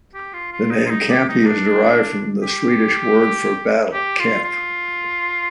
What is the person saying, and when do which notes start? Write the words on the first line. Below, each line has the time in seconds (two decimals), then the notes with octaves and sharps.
The name "Kamppi" is derived from the Swedish word for battle, "kamp".
0.14 G4
0.33 F4
0.52 F4
0.71 D#4
0.86 F4
0.90 D#4
1.09 G4
1.28 D#4
1.47 D4
2.42 G4
3.93 G4
4.19 F4
4.44 F4